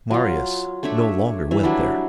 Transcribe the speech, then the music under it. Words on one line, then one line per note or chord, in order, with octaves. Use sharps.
Marius no longer went there.
F#3 F4
A3 D4 C#5 E5
E3 E5
F#3 G3 D4 E4